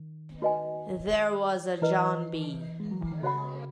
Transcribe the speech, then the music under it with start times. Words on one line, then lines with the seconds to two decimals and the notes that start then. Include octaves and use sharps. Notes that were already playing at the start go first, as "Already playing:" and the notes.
There was a John B.
Already playing: D#3
0.42 D#4 F#4 B4 D#5 G#5
1.82 E3 E4 B4 D#5
2.80 G#3
2.91 F#3
3.01 E3
3.12 D#3
3.22 C#3 F#4 C#5 F#5 B5